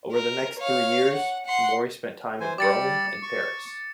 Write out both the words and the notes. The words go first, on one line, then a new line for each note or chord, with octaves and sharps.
Over the next three years, Mori spent time in Rome and Paris.
A#4
C#5 F5
F#5
F#5 C6
E3 C5 G#5
G3 G4 D5 D6 A6 C#7
C#6